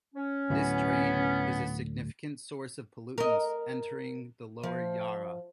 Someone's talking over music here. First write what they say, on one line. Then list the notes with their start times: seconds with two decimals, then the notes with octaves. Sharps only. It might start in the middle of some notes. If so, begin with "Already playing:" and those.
This drain is a significant source of pollutants entering the lower Yarra.
0.15 C#4
0.50 D2 A2 F#3 B3
3.18 A#4 D#5
4.63 F3